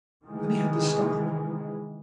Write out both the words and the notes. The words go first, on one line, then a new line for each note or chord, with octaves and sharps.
Then he had to stop.
C3 D#3 E3 G#3